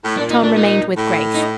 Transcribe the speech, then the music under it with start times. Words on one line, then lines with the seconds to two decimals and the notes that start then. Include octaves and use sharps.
Tom remained with Grace.
0.04 A2
0.17 A#2 D4
0.30 D#4
0.43 D4
0.57 D#4
0.95 A2
1.34 D#4